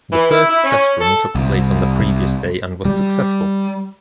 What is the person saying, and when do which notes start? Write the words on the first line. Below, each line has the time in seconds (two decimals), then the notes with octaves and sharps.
The first test run took place on the previous day and was successful.
0.11 E3
0.30 E4
0.50 E4
0.64 C#4
1.00 A4
1.35 C2
2.85 G3